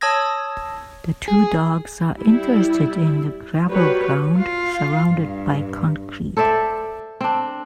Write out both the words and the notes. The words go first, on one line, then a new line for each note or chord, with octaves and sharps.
The two dogs are interested in the gravel ground surrounded by concrete.
C#5 A5 D#6 E6 G#6 A#6
G#4
G3 E4
F#3 G3 B4 C#5
F4
G2
A4 C5 D5 E5
C4 D4